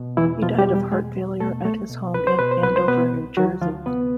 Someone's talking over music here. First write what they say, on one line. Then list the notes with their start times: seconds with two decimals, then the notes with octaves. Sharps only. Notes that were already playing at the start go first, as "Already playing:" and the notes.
He died of heart failure at his home in Andover, New Jersey.
Already playing: B2
0.17 E2 E3 E4
0.42 B2 F3 F4
0.58 G3 G4
0.67 E2
0.74 G3 G4
0.91 B2 G#3 G#4
1.16 E2
1.40 B2 A3 A4
1.65 C2 A3 A4
1.90 B2
2.14 C2 B4
2.27 C5
2.39 B2 B4
2.51 C5
2.63 C2 B4
2.76 C5
2.88 B2 B3 B4
3.13 C2
3.37 D2 F#3 F#4
3.61 D2 F3 F4
3.86 C3 B3 B4